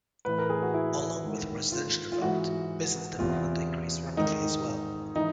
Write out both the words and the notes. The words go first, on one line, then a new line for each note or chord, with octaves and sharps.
Along with residential development, business development increased rapidly as well.
A2 E3 B4
A#4
G#4
F#4
E4
G#2 D#3
F4
F4
G#2 E3 F#4
E2 C3 E3 F4
G#2 D#3 D#4
E3 D#4